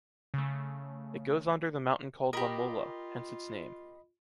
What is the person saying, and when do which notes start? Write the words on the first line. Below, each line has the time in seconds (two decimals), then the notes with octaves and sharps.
It goes under the mountain called La Mola, hence its name.
0.34 C#3 A3
2.33 F4 G4 A#4 D#5 B5